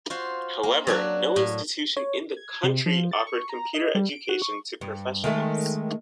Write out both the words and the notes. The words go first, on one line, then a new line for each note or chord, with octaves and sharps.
However, no institution in the country offered computer education to professionals.
F4 F#4 C5
A#3
F#3 D4 F#4
A2
C#5
G#6
C3
F3
A6
C#6
A#5
D#5
G3
D7
F#4
C#6
G2
D#3 G#3 A3